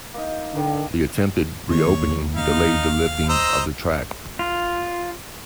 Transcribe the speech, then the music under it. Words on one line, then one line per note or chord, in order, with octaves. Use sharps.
The attempted re-opening delayed the lifting of the track.
A#3 D#4
D3 D#3 A#3 D4
D#2 C#5
D#4 F5
C5 D#5 A#5 E6
F4